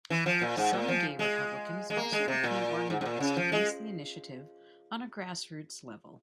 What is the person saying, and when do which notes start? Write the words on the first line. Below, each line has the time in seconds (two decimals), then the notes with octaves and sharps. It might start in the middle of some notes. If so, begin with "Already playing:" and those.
Some gay Republicans also became organized against the initiative on a grassroots level.
0.10 E3
0.26 F3
0.42 A#2
0.57 G#2
0.73 A#2
0.88 F3
1.19 G#3
1.90 G#3
1.97 A#3
2.12 G#3
2.28 C3
2.44 A#2
2.90 G#2
3.01 G#2
3.05 A#2
3.20 C#3
3.37 F3
3.52 G#3